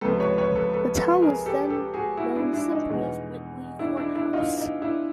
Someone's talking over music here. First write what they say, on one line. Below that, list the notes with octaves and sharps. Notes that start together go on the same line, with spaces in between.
The town was then known simply as Whitley Courthouse.
C#2 C3 F3 A3 A4 B4
B4 C#5
B4 C#5
A4 B4
A4 B4
A4 B4
G#4 A#4
G4 A4
G4 A4
F#4 G#4
E4 F#4
D4 E4
D4 E4
D#4
E2 B2 G#3
D4 E4
D4 E4
D4 E4
D#4 F4
D#4
D4 E4